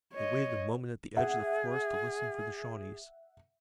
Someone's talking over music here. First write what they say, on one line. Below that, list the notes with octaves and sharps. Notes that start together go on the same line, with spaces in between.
They waited a moment at the edge of the forest to listen for the Shawnees.
C#5 D#5
G#4 E5 F#5